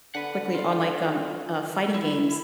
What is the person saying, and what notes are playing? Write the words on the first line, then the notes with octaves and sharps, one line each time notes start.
quickly on like, um, uh, fighting games.
D3 B4 F#5
F4
E4